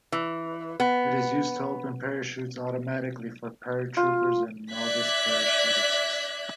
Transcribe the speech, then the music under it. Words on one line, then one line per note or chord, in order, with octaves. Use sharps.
It is used to open parachutes automatically for paratroopers and novice parachutists.
E3
B3
F4
D5 E5 F#6 G#6 B6